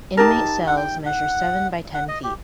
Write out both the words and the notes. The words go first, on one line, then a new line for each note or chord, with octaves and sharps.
Inmate cells measure seven by ten feet.
D#4 G4 A#4 A5
F#5
G5
F#5
F#5
D#5
G4